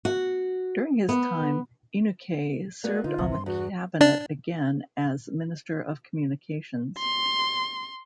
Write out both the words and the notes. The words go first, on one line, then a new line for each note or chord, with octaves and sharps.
During his time, Inukai served on the cabinet again as Minister of Communications.
F#4
B3
A#3 B3 F#4 D5
D3 D#4 F4
A1 D2 C3
G2 C6
E2 F#4
D4 D5
C6